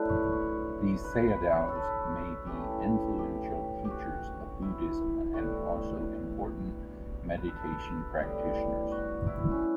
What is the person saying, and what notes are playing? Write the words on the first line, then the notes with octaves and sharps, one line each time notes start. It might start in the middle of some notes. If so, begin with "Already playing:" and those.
These sayadaws may be influential teachers of Buddhism and also important meditation practitioners.
Already playing: D3 F#3 A3 E4 B4
C#5
C#5
B4
B4
C#5
A4
B4
E3 A3 C#4 G4
G4
G4
F#4
E4
A2 G3 B3 F#4
B4
A4
A2 G3 B3
F#4
E4
C#4